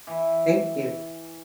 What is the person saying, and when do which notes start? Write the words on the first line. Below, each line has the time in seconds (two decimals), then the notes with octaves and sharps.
Thank you.
0.07 E3